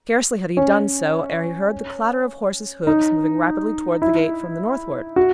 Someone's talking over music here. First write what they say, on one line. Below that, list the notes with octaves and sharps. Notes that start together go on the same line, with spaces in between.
Scarcely had he done so ere he heard the clatter of horse's hoofs moving rapidly towards the gate from the northward.
C#4
D#4
E4
F#4